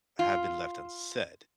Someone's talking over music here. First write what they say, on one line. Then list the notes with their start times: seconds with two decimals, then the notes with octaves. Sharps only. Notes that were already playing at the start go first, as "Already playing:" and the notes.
have been left unsaid.
0.19 F4